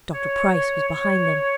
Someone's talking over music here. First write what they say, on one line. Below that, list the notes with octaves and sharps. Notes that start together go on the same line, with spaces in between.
Dr. Price was behind them.
C#5
C#5